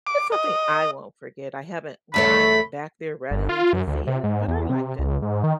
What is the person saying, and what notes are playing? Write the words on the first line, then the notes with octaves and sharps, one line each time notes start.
it's something I won't forget, I haven't gone back there readily to see it, but I liked it.
D6
D#5
E2 A3 C#5 B5
G1
F4
F#2
D2
C3
G#2
E2
C3
C#2
G#2
D#3